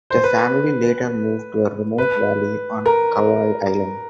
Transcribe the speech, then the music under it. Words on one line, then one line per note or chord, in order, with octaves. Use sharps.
The family later moved to a remote valley on Kauai island.
C5
B4
B4
A#4